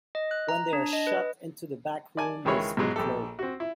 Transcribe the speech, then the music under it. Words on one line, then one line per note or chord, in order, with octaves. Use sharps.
When they are shut into the back room, they speak low.
D#5
F#6
A#5
D4
D#5
B4
D5 G#5 A5
C#2 D#3 E3 G#3 C#5 B5
G#2 B2 F#3 G#3
A#1 G4 A4
C4 F#4
E4